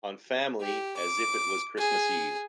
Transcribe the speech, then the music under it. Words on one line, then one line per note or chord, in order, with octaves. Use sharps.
On family, as if it was Christmas Eve.
G4
D6
G#4